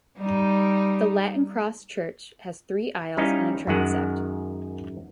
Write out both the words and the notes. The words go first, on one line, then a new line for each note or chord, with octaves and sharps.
The Latin-cross church has three aisles and a transept.
G3 D#4
G3 C#4 D#4 E4 D#5 F5
F#2 D#3 G#3 F#5